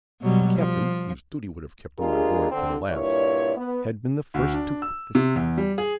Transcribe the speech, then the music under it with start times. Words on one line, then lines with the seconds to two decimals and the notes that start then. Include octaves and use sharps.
The captain, whose duty would have kept him on board to the last, had been the first to quit the ship.
0.21 B2 F#3 G3
0.57 F3
1.99 G#3 D4 F4 G4 G#4 A#4
2.51 D3 C4
2.90 G2 A#2 E4 C#5
3.57 B3
4.34 D2
4.54 D4
4.82 E6
5.15 C3
5.36 E2
5.58 G3
5.78 G#4